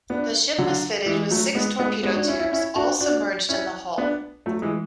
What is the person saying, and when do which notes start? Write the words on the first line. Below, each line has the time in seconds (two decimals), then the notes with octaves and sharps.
The ship was fitted with six torpedo tubes, all submerged in the hull.
0.10 B3 D4
0.58 D3 F#3
1.06 E3 G#3
1.31 F#3 A3
1.54 G#3 B3
1.79 G#3 B3
2.03 G#3 B3
2.16 D4 F#4
2.28 C#4 E4
2.40 C#4 E4
2.52 C#4 E4
2.76 D4 F#4
3.01 D4 F#4
3.49 C#4 E4
3.98 B3 D4
4.46 F#3 A3
4.62 E3 G#3